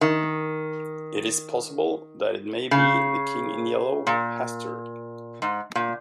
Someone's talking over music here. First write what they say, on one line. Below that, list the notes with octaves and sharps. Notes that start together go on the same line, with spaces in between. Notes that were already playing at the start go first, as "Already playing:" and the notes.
It's possible that it may be the King in Yellow, Hastur.
D#3
C#3
A#2
G#2
A#2